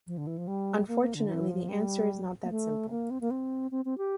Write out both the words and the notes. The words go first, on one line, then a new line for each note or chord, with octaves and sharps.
Unfortunately, the answer is not that simple.
F3
D3
E3
F3
G3
A#3
A#3
D3
E3
F3
G3
A#3
A3
A#3
C4
A#3
C4
C4
C4
G4